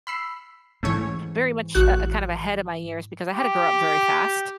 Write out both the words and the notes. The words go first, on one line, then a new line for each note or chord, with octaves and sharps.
very much, uh, kind of ahead of my years, because I had to grow up very fast.
B5 E6 C7
G#2 E3 A3 C#4 C#5
A1 F#4 F#6
G4